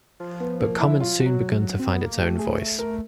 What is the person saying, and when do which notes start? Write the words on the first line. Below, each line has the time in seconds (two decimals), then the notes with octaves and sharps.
But Commons soon began to find its own voice.
0.20 F3
0.40 B3
0.60 A#3
0.80 E4
0.99 F#3 F4
1.14 F3
1.20 F#4
1.26 F#3
1.79 C4
1.93 B3
2.05 A#3
2.18 A3 G4
2.39 G#4
2.79 A#4